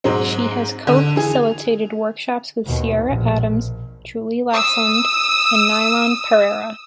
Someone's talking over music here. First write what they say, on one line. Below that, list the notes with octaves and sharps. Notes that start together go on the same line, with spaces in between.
She has co-facilitated workshops with Ciara Adams, Julie Lassonde, and Nilan Perera.
G#2 F#3 G#3 C4
D3
E3 G#4
F7
D#2 B2
A#1
D#6 E6